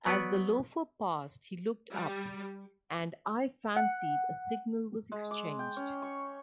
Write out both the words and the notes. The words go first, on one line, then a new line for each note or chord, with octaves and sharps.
As the loafer passed he looked up, and I fancied a signal was exchanged.
F#3 B3 B4 D5 F#5
G3
F#5
G#3
D6
G5
C#4
C#6